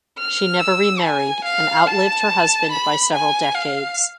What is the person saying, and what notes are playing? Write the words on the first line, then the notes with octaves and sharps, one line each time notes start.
She never remarried and outlived her husband by several decades.
F6
E6
G#5
F5
A5
B5
G#5
F5